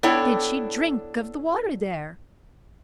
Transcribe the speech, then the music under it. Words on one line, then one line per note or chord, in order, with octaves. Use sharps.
"Did she drink of the water there?"
B3 D4 E4 A4 C#5 G5